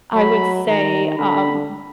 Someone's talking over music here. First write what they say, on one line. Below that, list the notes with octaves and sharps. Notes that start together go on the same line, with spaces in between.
I would say, um,
F#3 B5
D#3 A#5
D3 B5